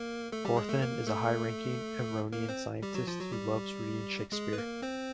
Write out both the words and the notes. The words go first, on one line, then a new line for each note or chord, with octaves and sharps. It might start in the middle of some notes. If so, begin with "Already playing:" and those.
Gorthan is a high-ranking Evronian scientist who loves reading Shakespeare.
Already playing: A#3 A#4
A3 A4
G3 G4
G#3 G#4
A3 A4
A#3 A#4
A3 A4
A#3 A#4
C4 C5
G3 G4
F#3 F#4
F3 F4
F#3 F#4
G3 G4
G#3 G#4
B4
A#3 A#4
C4 C5